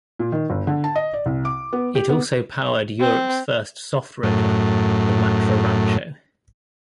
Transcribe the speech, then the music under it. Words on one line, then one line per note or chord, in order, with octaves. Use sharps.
It also powered Europe's first soft-roader, the Matra Rancho.
A#2
D#3
G1
D3
A5
D#5
D5
C2
D6
B3
G4
B3
C4
F#2 A2